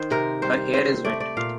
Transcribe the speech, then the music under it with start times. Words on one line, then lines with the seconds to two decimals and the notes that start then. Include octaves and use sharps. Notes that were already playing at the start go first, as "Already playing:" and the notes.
Her hair is wet.
Already playing: D#3 C5
0.11 C3 A#4
0.42 G3 C5
0.74 C4 C5
1.05 A3 D5
1.20 D5
1.37 A#2 F5